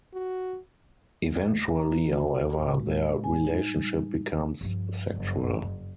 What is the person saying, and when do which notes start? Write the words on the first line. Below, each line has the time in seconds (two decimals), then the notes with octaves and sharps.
Eventually, however, their relationship becomes sexual.
0.13 F#4
1.77 A#5
2.06 F#4
2.58 A2
2.80 G#3
3.24 G#5
3.45 D#4
3.69 G3
4.61 G2 F3
5.14 F#1